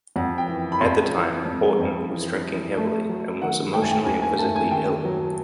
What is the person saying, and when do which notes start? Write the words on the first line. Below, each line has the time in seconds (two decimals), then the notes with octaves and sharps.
At the time, Horton was drinking heavily and was emotionally and physically ill.
0.16 F2 F#5
0.38 G5
0.49 E3
0.72 B5
0.81 F2 C6
1.14 E3
1.46 F2
1.79 F2
2.11 E3
2.44 E3
2.77 A3
3.09 F#3
3.42 D#3 F#5
3.73 A3 G5
3.82 G#5
3.91 G5
4.06 D#2 G#5
4.22 G#5
4.38 A3 A5
4.56 G#5
4.71 D#3 G5
5.04 F#3